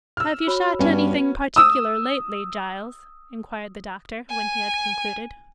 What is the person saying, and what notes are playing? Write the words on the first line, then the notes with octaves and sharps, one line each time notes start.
'Have you shot anything particular, lately, Giles?' inquired the doctor, when he had concluded.
E6 F6
F#4 C#5 B5
G2 B3 C#4
D#6 E6
G#5